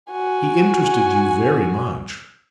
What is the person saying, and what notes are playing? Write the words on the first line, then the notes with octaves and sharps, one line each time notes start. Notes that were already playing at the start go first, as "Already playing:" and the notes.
He interested you very much.'
F#4 G#5